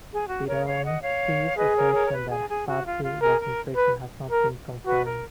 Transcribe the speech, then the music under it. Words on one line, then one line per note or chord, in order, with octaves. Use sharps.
Pironti's assertion that Sarti was in prison has not been confirmed.
G#4
F#4
A#4 C#5
C#5 F5
D#5 F#5
C#5 F5
G#4 B4 D#5
A#4 C#5
A#4 C#5
A#4
B4
G#4
G#4
F#4
F4
F4
G#4 A#4
A#4
B4
A#4
F#4 B4
A#4